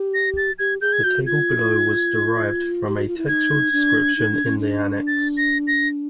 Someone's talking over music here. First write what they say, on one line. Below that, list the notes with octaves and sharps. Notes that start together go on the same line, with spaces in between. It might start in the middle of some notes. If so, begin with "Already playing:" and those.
The table below was derived from a textual description in the annex.
Already playing: G4
A#6
A6
G4 G#6
G#4 G6
G#6
F#4 G6
F4 G#6
G4
F#4
F4
E4
D#4 G#6
D4
D#4
D4
C#4
D4
A6
A#6
A#6